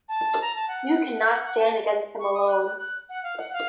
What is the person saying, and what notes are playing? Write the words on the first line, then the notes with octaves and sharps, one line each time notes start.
You can not stand against them alone.
A5
A#5
A5
F#5
F#5
F#5
A5
C#6
D#6
F#6
F#6
F#6
F#5
F5
F#5
F5